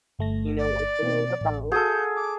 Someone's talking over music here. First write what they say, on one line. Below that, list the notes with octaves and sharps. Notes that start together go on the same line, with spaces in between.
you knew it was below the belt
G1 A3 A#6
D5
B2 A#3 C4
A1
F#4 G#4 A4 D#6 G6
D6